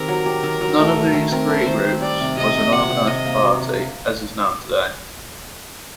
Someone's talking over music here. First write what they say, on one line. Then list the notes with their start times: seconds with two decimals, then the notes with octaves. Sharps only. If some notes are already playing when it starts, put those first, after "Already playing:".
None of these three groups was an organized party as is known today.
Already playing: D#3 C4 G4 A#4
0.08 F#3
0.26 G4
0.43 D#3
0.61 F#3
0.79 A3
0.96 A3
1.14 D#3
1.31 C4 A#4
1.49 A3
1.66 D#3 C5
1.84 C4
2.02 G3 D5
2.20 C3
2.37 C3 D#5
2.54 C3
2.73 C3 F#5
2.90 C3
3.07 C3 D#5
3.25 A#3
3.42 F#4